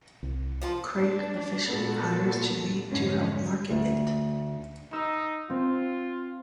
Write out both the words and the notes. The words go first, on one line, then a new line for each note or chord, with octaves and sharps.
Crake officially hires Jimmy to help market it.
C2
F3 F4 A5
D4
A#2 B3 F#4 A4
F2 G#2 D3 E3 G#3 C#4
D2
D#4 E6
C4 F4